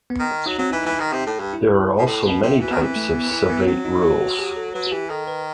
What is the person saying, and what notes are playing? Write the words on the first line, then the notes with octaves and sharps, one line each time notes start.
There are also many types of savate rules.
B3
D#3
F#3 D#4
F#3 C4
E3 D#4
E3
D#3
C3
A2
G2
E4
B2
A2
B2
C3
E3 F#4
D#3 B3
E3 C4
A3
B3
E4
B3
F#3 C4
D#4
D#4
E4
F#4
G4
A4
F#3 B4
F#4
E3 G4
D#3 A4
B4